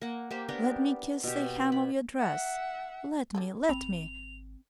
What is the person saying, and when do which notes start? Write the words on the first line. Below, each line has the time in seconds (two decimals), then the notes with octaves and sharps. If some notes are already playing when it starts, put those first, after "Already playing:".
Let me kiss the hem of your dress, let me, let me....
0.02 A#3 F#5
0.31 A#3 G4 C5
0.48 B3 D4 G4 A#4
1.24 B2 G4
1.72 B5
2.19 E5 F#5
3.35 G3 C#4 A4
3.69 G#1 C4 B5 F7